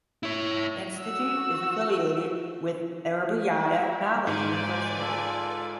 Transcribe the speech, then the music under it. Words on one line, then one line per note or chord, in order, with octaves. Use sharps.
Institute is affiliated with Aryabhatta Knowledge University.
E4 C#5
F#4 E6
E4
G#2 B4 C5 D5 G#5
F4 A4